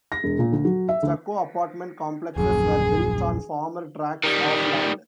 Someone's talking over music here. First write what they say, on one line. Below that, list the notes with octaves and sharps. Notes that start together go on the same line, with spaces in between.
Stucco apartment complexes were built on former tracts of land.
A#6
E1
A#2
D2
F#3
E5
D2
D#1 A#1 F#2 G#4
D#3 G3